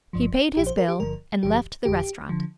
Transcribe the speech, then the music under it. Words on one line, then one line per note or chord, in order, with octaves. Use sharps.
He paid his bill and left the restaurant.
G1 G2 F3
A#1 A#2 F3 G4
C5
A#4
G4
G1 G2 D3 F3 A#4
G1 G2 D3 F3 G4
G1 F2 D3 G4
D3 F3